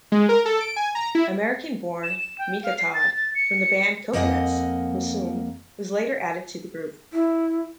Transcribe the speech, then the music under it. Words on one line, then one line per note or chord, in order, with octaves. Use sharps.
American-born Mika Todd from the band Coconuts Musume was later added to the group.
G#3
A#4
A4
D7
G#5
A#5
E4
E7
E7
G5
F5
C7
A6
A6
C#7
F2 A#3 D#5 F#5 G#5
E4